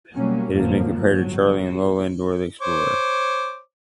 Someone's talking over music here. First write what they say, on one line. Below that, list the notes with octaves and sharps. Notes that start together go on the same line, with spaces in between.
It has been compared to Charlie and Lola and Dora the Explorer.
B2 F#3 G3 A#3 C#4
G1 F2 A2 F3 F#3 A#3
G1 F#3
C5 C#5 D6